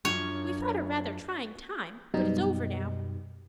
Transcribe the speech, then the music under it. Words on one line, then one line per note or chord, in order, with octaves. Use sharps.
We've had a rather trying time but it's over now.
F#2 D4 F4 C#5
F#2 B2 G3 D#4